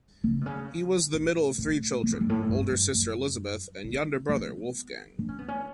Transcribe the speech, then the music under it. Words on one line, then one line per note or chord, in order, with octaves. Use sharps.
He was the middle of three children, older sister Elisabeth and younger brother Wolfgang.
C#3
B2
C#3
A2
A2
B2
A2
G2
A2
G2
G2
F#2
D3
B3
D4
C#4
B3
C#4